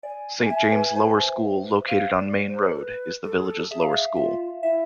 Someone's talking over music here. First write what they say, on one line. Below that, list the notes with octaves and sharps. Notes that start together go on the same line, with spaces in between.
Saint James' Lower School, located on Main Road, is the village's lower school.
D5 G#5
E5
B4
C5
F5
D5
C5
A4
B4
A4
G#4
A4
G#4 E5
F5
E5
F4 E5
E4 E5